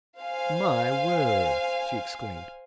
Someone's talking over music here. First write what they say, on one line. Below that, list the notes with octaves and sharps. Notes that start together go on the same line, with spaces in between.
'My word!' she exclaimed.
C5 F5 G#5